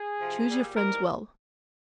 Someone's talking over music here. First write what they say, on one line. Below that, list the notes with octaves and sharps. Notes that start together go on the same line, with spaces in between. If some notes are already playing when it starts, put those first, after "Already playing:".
Choose your friends well.
Already playing: G#4
C3 F3
A#2 G3
G#2 E3 G3 A#4